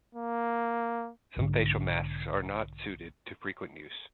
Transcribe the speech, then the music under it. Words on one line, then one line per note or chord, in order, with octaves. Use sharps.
Some facial masks are not suited to frequent use.
A#3
B1 G#2 D3